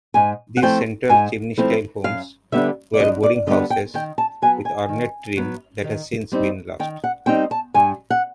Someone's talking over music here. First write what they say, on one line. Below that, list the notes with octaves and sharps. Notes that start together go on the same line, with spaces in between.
These central-chimney-style homes were boarding houses with ornate trim that has since been lost.
G#2 G#5
F#5
F3 A3 C4 E4 G5
G#2 G#5
F3 A3 C4 E4
F#2 F5
D3 G3 B3 D4 E5
D5
F#2 D#5
D5
D3 G3 B3 D4 D#5
G5
D#3 G5
A5
F#3 B3 G#5
G#5
D#3
F#3 B3
D#3
G3 C4 D#4
D#3 G5
F#5
G3 C4 D#4 G5
A5
G2 G#5
F#5